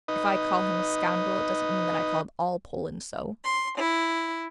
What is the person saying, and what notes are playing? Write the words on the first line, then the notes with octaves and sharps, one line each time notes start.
If I call him a scoundrel, it doesn't mean that I called all Poland so.
D#4 B4 D#5
C6
E4